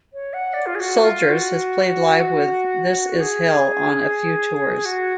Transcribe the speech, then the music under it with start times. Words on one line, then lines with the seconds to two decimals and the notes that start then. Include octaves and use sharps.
Soldiers has played live with This Is Hell on a few tours.
0.13 C#5
0.33 F#5
0.54 D5
0.66 F4
0.75 G#4
0.80 F#4
1.02 F4
1.29 F#4
3.11 F#4
3.20 G#4
4.85 F#4